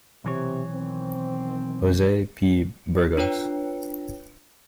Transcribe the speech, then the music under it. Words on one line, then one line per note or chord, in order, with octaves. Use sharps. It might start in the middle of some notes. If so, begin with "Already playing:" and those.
Jose P. Burgos.
B1 C3 E3 C#5
D#3 C4
D4 F4 B4 C#5 G5